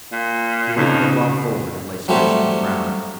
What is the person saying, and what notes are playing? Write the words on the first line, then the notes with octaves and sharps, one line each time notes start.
He went headlong forward and lay stretched on the ground.
A#2
F2 C#3 D#4
F#3 G3 A3 C4 G4